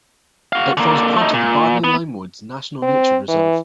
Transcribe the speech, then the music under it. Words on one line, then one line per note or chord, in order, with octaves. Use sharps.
It forms part of the Bardney Limewoods National Nature Reserve.
F#4 F5
D3 A#3
A3 D#4
A#2
B3
C4
E3